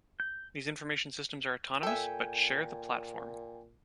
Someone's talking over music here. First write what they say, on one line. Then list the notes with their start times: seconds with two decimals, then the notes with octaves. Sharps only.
These information systems are autonomous, but share the platform.
0.20 G6
1.83 A#2 A4 E5 G5 G#5